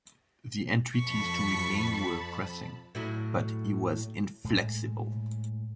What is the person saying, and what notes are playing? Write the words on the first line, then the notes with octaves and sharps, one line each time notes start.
The entreaties to remain were pressing, but he was inflexible.
F2 A5 B5 C#6 B6
A2 F#3 E4
A2 G#3